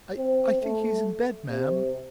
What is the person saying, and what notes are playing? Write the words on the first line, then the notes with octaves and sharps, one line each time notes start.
"I--I think he's in bed, ma'm."
C4
A3
C3